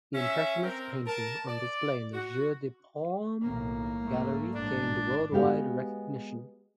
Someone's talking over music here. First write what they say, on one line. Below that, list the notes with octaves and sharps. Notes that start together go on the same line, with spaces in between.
The Impressionist paintings on display in the Jeu de Paume gallery gained worldwide recognition.
C#4 E5
C4 A#4
A#4 A5
D5
F#4
B1 A2 D#3 A#3
G#2 A3
A1 G#2 G#3 D4
G#3 B3 F#4 G4 F5